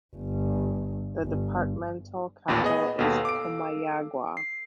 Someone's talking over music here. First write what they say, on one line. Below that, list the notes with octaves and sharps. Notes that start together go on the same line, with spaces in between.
The departmental capital is Comayagua.
G1
G1
A1 D#2 A#2 B5
B3 G#4 D#5
D#2 B2 A4 F5
D6 D7
C7